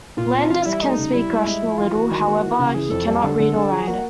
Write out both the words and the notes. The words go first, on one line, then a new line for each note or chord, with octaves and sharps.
Landers can speak Russian a little; however, he can not read or write it.
A#2 F4
C4
E3 F4
G3 E4
A3 D#4
C#3
G3 E4
G3
G#3
F3
E3 F4
E3 F#4
D#3
A#3
E3
C#3
E3 G#4
F2 A4
G3
D3
D3
D3
F3 G#4
A#3 F#4